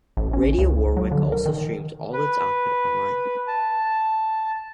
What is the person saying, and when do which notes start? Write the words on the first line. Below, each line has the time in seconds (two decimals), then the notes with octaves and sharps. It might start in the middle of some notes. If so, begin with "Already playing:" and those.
Radio Warwick also streams all its output online.
0.17 A1
0.33 C#4
0.58 C#2
0.97 F#3
1.12 D3
1.32 A#4
1.46 D#3
2.13 B4
3.48 A5